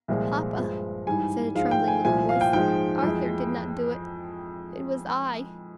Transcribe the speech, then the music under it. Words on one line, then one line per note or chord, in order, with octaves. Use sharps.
"Papa," said a trembling little voice, "Arthur did not do it; it was I."
C2 A#2 F3 G#3
G2 F3 G#3
G#2 E3 G3 G#5
G#2 F3 G#3 F5
G5
G#5
C2 A#2 F3 G#5
F5
G5
G#2 F3 G#3 G5
F2 E3 G#3